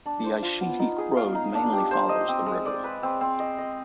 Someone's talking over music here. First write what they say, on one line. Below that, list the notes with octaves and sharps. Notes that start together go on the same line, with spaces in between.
The Aishihik Road mainly follows the river.
D4
C5
F4
B3
D#4
G#4
F5
D#4
D4
G4
C5
D#5
C4
G#3
D5
B4
C4
C4
D#5
D#5